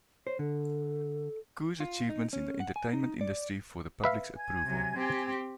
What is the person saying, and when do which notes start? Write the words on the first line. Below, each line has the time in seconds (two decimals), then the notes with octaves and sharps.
Ku's achievements in the entertainment industry for the public's approval.
0.27 C5 C#5
0.39 D3 A4
1.80 F4
2.09 D#4
2.33 C#4
2.60 F#5
2.76 G#5
2.93 D#4
3.21 D5
4.04 B4 E5 F5
4.36 G#5 G#6
4.65 C3 F#3
4.95 C4 G4